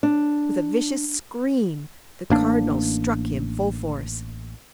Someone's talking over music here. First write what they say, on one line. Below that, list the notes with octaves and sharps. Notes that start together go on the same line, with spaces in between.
With a vicious scream the Cardinal struck him full force.
D4
A1 A#3 D4